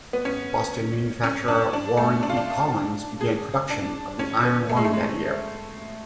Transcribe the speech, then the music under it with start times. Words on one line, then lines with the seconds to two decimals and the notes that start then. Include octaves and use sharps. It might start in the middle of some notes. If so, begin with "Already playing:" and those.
Boston manufacturer Warren E. Collins began production of the iron lung that year.
0.13 B3
0.25 C#4
1.24 C#4
1.48 D4
1.73 D4
1.97 A3
2.23 D4
2.29 F4
2.37 D4
3.21 G#4
3.70 D4
4.19 C#4
4.45 B3
4.69 A3
4.77 G#3
4.84 A3
4.93 G#3